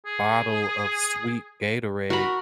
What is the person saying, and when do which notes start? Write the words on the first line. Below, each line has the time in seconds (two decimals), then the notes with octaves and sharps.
bottle of sweet Gatorade,
0.06 G#4
2.10 F#4 A#4 B5